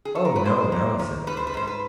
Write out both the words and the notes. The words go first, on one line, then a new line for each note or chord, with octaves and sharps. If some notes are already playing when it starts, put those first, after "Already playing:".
'Oh no! no!' said Amelia.
G#4
A4
A#4
B4
G#2 C5
A#3
D#3
G3 B4
C5
B4
G#2 C5
B4